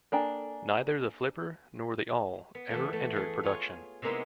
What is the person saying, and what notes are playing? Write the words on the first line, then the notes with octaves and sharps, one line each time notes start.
Neither the 'Flipper' nor the 'Awl' ever entered production.
A#3 D4 A4 G5 G#5 A#5
B3
E3 A3
A3
A3 G#4
F4 C#5 G#5
C3 G#3 A#3 B3 D#4 E4